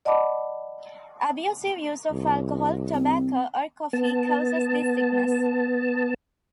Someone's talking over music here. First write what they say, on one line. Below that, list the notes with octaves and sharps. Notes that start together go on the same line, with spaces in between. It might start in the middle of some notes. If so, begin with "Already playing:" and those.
Abusive use of alcohol, tobacco or coffee, causes this sickness.
D5 D#5 F#5 A5 B5 D6
C2
C4
B3 A5